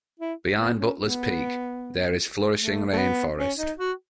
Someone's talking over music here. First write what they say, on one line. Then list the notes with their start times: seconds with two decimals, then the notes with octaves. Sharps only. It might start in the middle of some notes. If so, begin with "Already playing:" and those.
Behind Butler's peak, there is flourishing rain forest.
0.20 E4
0.58 B3
0.79 C#4
0.99 B3
2.58 A3
2.93 A3
2.97 B3
3.38 C#4
3.58 D#4
3.78 F#4